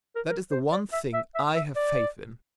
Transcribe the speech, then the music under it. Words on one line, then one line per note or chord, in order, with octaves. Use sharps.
That is the one thing I have faith in!
A#4
A#4
C5
D5
E5
E5
E5
E5
D5